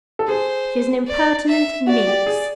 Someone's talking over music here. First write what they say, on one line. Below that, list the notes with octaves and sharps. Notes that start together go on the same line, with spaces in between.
"She is an impertinent--minx!"
A4
G#4 C5
D5
E5
F#4 D5
G4
G#4